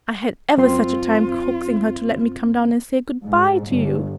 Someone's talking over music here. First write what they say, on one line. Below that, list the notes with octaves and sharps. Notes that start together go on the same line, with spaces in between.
I had ever such a time coaxing her to let me come down and say good-bye to you.
F#2 C4 F4 C6
G#2
G1